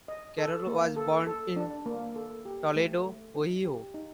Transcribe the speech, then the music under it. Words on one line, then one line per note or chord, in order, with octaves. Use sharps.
Carroll was born in Toledo, Ohio.
D#5
A4
A#3
A4
A4
D4
A#3
A4
G4
A3
A3
D#4
G4
D#4